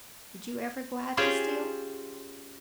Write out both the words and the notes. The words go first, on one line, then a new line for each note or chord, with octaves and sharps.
"Did you ever go out to steal?"
C#4 F4 G4 G#4 C5